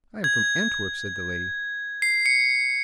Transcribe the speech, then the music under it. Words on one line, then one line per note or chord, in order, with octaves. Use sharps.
"I am from Antwerp," said the lady.
G#6
C7
C#7